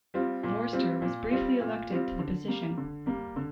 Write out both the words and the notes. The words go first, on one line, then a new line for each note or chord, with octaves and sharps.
Vorster was briefly elected to the position.
G3 C4 F4
A#2
G3 C4 F4
A#2
G3 C4 F4
A#2
G3 C4 F4
D3
G3 A#3
D3
G3 A#3
D3